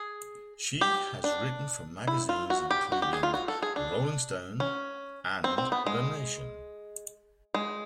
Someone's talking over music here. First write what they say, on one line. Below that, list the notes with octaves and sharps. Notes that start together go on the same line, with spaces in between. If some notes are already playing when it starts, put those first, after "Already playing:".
She has written for magazines including "Rolling Stone" and "The Nation".
Already playing: G#4
G4
D4
E4
F4
F#4
G4
F#4
G4
G#4
F4
F#4
A4
G#4
D4
C#4
C4
C4
B3
G#3
G#3